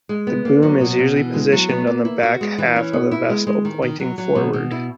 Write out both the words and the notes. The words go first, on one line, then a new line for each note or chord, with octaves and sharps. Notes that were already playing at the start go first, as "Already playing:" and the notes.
The boom is usually positioned on the back half of the vessel, pointing forward.
G#3
B3
A#3
F#3
B2
B2
E3
G#3
F#3
B3
A#3
E4
F#4
G#3
E3
C#4
B3
E4
G#3
G#3
D#3
D#3
F#3
F#3
B2
B2
E4